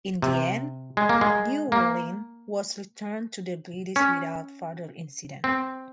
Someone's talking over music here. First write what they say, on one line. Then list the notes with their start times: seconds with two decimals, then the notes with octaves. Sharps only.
In the end "Newlyn" was returned to the British without further incident.
0.22 C3
0.97 G#3
1.09 A#3
1.21 G#3
1.72 A#3
3.96 C#4
5.44 C4